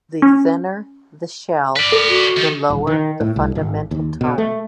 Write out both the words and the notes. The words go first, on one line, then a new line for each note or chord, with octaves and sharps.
The thinner the shell, the lower the fundamental tone.
C#4
B4 D5
A4 A#4
F#4
D#3
D#1
D#3
A2
C2
G#1
D#2
B2
A3